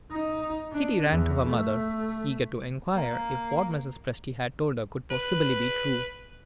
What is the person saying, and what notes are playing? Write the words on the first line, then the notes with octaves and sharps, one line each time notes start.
Kitty ran to her mother, eager to inquire if what Mrs. Presty had told her could possibly be true.
D#4
D4
E2
A3
A#3
B4